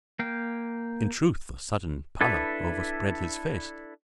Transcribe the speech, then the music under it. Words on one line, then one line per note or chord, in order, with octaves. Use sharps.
In truth, a sudden pallor overspread his face.
A#3 F5 G5
D4 E4 A4 B4